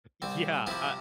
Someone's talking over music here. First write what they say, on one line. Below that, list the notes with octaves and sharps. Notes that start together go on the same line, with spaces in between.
Yeah, I
C2 C4
C3 F3 C4 E4